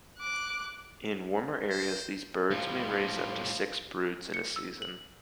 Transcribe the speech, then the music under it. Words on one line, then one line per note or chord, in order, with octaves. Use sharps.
In warmer areas, these birds may raise up to six broods in a season.
D6 F#6
C5
A2 F3 G3
C#7
E6
F#7